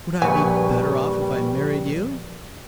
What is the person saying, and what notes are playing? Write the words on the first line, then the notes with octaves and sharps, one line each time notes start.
"Would I be better off if I married you?"
A#1 G3 B4 G#5 C#6